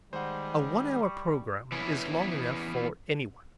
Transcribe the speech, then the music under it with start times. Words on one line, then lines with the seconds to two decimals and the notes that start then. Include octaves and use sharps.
A one hour programme is long enough for any one.
0.13 D#3 G3 G#3 C5 F#5
1.03 C#6
1.72 E3 B3 C#4 E4